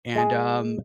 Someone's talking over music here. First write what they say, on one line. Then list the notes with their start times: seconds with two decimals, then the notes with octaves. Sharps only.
and, um,
0.15 G#3 G#4